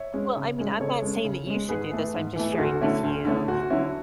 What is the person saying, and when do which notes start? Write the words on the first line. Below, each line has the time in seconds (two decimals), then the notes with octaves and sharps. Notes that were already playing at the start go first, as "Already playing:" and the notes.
well, I mean, I'm not saying that you should do this, I'm just sharing with you
Already playing: C#5 E5
0.14 G#3 C#4
0.36 C#3
0.58 G#3 C#4
0.80 C#3 A4 C#5
1.02 G#3 C#4
1.24 C#3
1.47 G#3 C#4
1.69 G#2 G#4 B4
1.91 E3 A3
2.14 G#2
2.36 E3 A3
2.52 G#4
2.58 D2 F#4 A4
2.81 D3 A3 C#4 E4
3.03 D2
3.25 D3 A3 C#4 E4
3.48 D2 F#4
3.70 D3 F#3 C#4 E4